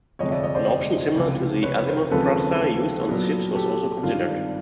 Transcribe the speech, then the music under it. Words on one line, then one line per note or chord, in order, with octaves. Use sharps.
An option similar to the Azimuth thruster used on the ships was also considered.
G1 F2 C3 F3 G#3 C#5 D#5
D5 E5
C#5 D#5
C5 D5
C#2 C3 F3
B4 C#5
A#4 C5
D#2 C#3 F3 G#3 C4 A4 B4
A#2 F#3 B3 E4
G4 A4
G#1 G2 D#3 G3 F4